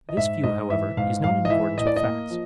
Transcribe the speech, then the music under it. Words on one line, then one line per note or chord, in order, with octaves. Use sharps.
This view, however, is not in accordance with facts.
D#5
G#2 E5
G#2 D#5
E3 E5
G#2 F5
G#2 F5
D#5
E3 E5
A2 D#5
D5
D#5
A#3
F3